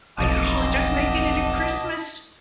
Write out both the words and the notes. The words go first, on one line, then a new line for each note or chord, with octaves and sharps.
I usually just make it it at Christmas.
F1 B1 F2 D#5 A5 D6